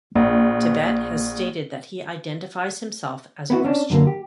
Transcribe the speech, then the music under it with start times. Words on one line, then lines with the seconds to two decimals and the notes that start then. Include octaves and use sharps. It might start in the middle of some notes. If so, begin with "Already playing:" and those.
Tibet has stated that he identifies himself as a Christian.
0.16 A#1
3.50 B3 E4 F#4
3.65 C#4 D4
3.90 F#2 D3 A#3
4.07 G4